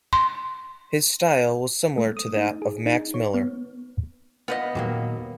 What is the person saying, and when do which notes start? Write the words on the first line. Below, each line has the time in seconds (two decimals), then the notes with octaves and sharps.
His style was similar to that of Max Miller.
0.13 C6
1.98 A3
2.17 D#6
2.37 D#4
2.62 G#4
2.86 D#4
3.14 C#5
3.34 B3
4.48 B3 F4 B4 D#5
4.75 D#2 A#2 F#3 A#3